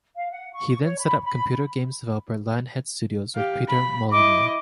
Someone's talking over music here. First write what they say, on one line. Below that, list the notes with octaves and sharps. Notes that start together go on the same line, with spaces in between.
He then set up computer games developer Lionhead Studios with Peter Molyneux.
F5
F#5
C#6
C#6
C#5
B5
B5
G4 F5
B5
E4 D#5 D6